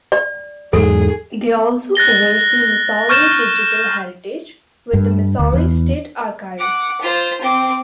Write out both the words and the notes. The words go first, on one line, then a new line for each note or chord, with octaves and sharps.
They also oversee Missouri Digital Heritage with the Missouri State Archives.
D5
E2 G#2 F#3 G#4 A4
F#6 A6 A#6 G7
C#6 F6 G6 A6 E7
G2
D2
E2
F#5 D6
F4 C5
C4 D6